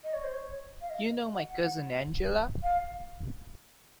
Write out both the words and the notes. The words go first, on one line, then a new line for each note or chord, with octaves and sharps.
You know my cousin Angela?
D#5
C#5
C5
C#5
F5
D#5
F#5
F5